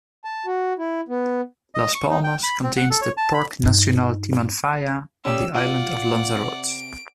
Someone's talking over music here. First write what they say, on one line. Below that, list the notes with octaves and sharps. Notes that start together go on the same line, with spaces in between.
Las Palmas contains the Parque Nacional Timanfaya on the island of Lanzarote.
A5
F#4
E4
B3
D#5
C#6
D#4
G5
B5
C4
F#5
A4
C#5
A5
B5
G2 D#4
C#4 G4 D5 E6
F4 D5 F#5
C3
D7